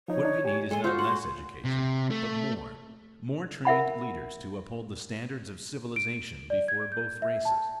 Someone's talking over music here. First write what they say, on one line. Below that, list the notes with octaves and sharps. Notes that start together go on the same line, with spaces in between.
What we need is not less education, but more; more trained leaders to uphold the standards of civilization before both races.
F3 D#4 C#5
D4 D#4
G4 G#5
G#3 A4 G#5 C6
F4 F#4 C5
F#5 C6
C3
A3
A#4 E5 F#5 B5
D7
D5
G#6
G6
E5
A5